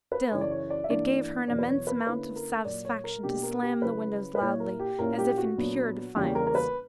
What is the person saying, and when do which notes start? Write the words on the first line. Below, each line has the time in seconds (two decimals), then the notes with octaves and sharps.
Still, it gave her an immense amount of satisfaction to slam the windows loudly, as if in pure defiance.
0.12 B4
0.31 F#2 C#3 E3 C#5
0.41 D5
0.51 C#5
0.70 D5
0.84 E5
0.89 G2 E3 A#3 D4 D5
1.48 E2 B2 F#3 D5
1.59 B4
1.68 C#5
1.87 B4
2.06 D3 A#3 C#4 E4 B4
2.36 A#4
2.65 A#2 F#3 A#3 D5
2.85 C#5
3.04 A#4
3.23 B2 A#3 D4 G4
3.43 A#4
3.62 G4
3.82 C#3 F#3 C#4 E4 B4
4.35 B4
4.40 A#2 A#3 E4 C#5
4.60 A#4
4.80 G4
4.99 A#2 A#3 C#4 E4 A#4
5.18 G4
5.38 F#4
5.57 A#2 F#3 B3 D4
6.16 E2 C#3 G3 A#3 C#4 G4
6.35 A#4
6.47 A#4
6.55 B4